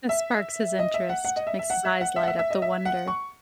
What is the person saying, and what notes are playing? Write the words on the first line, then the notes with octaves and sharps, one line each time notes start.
This sparks his interest, makes his eyes light up, the wonder.
E5
D#5
E5
F#5
F#5
D#5
E5
E5
F#5
E5
F#5
E5
F#5
E5
E5
D#5
E5
F#5
C#6